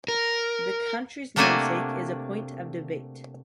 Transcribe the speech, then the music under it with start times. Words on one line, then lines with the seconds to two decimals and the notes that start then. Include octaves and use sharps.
The county's namesake is a point of debate.
0.08 A#4
1.36 C3 A3 A#3 D4 F#4 G#5